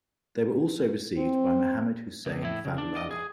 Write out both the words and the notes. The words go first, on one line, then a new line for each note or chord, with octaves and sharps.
They were also received by Mohammad Hussein Fadlallah.
C4
C#2
A2 E4
C#3
D4
D5 D#5
G#4